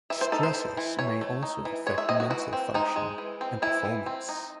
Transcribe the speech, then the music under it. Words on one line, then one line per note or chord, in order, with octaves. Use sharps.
Stressors may also affect mental function and performance.
E3 E5
C5
D#4 A4
C5
E3
E3
E3 C#5
A3
D#4
E3
G#3 C#5
E5
C4 D#5
F#4
E3 F#4
C4
G#3 D#4
G#3
E3
C4
E3 E4
E3
C4
D#4